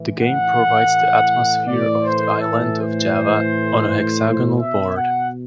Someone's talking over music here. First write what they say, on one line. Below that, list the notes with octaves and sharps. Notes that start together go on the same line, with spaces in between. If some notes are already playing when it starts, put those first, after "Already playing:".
The game provides the atmosphere of the island of Java on a hexagonal board.
Already playing: A2 E3
F#5
A2 E3 D5
C5
A4
C5
B2 E5
F#5